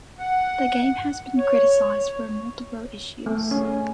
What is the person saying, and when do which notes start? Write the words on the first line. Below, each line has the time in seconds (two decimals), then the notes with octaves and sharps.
The game has been criticized for multiple issues.
0.18 F#5
1.37 C#5
3.26 A3
3.51 C#4